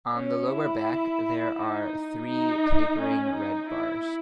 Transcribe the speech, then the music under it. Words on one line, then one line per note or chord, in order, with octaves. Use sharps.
On the lower back there are three tapering red bars.
C#4
E4
D#4
D#4
C#4
D#4
E4